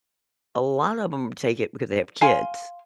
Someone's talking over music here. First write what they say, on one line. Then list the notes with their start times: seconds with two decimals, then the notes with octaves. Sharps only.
A lot of 'em take it because they have kids,
2.21 F5 G#5 C6